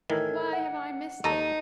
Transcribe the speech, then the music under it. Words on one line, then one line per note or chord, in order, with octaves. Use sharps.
Why have I missed it?
A2 D#3 E3 A4 A#4 G#6
F#5
D#2 D#4 A4 A#5